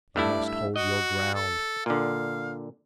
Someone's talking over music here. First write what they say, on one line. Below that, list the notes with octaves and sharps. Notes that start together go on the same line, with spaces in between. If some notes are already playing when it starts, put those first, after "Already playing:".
"You must hold your ground."
G2 A3 E4 D5
E5
F#4 D#5
A4
A#2 D3 F5